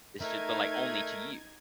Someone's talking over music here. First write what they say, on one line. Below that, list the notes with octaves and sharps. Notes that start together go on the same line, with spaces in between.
It's just but, like, only to you.
A3 D#4 A#4 E5 G#6